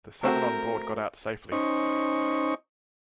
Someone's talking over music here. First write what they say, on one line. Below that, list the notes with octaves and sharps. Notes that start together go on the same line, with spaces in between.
The seven on board got out safely.
A3 C4 F#4 A#4
C#4 D#4 C5 D#5 C#6